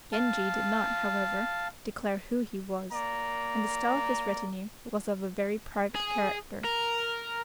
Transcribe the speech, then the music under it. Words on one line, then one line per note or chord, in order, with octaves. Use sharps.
Genji did not, however, declare who he was, and the style of his retinue was of a very private character.
F5 A5
A#3 D5 A#5
G#4
A#4